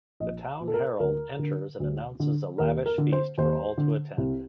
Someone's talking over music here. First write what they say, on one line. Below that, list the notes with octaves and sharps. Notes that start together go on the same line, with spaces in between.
The town Herald enters and announces a lavish feast for all to attend.
A#1 D#5
A#2
A4
A#4
D2 A#4
D3
D2
D3
D#2 A#4
A#4
D3
C5
D#2 C5
D3
C2